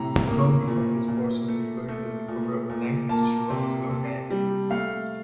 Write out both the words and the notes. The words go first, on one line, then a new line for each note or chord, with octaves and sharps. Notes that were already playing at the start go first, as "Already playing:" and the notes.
Kombe had his forces deploy under the cover of night to surround the locale.
Already playing: A2 C3 A#5
A#3
A#2
A#2
A3
A3
A#2
A#2
A#3 A5
C3
C3
G3
A3 F5